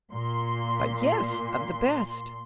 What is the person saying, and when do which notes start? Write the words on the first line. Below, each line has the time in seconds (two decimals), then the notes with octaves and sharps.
'But yes, of the best!'
0.12 A#2 C6